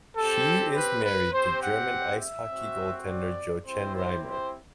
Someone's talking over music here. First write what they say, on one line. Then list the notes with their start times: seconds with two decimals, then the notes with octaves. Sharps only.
She is married to German ice hockey goaltender Jochen Reimer.
0.17 C4 G4 A4
0.75 B4
1.04 B4
1.33 C4 G4 C5
1.63 F#5
2.20 E5
2.50 C4 F#4
3.08 D5
3.66 C4 E4 G4 C5
3.95 C5
4.24 C5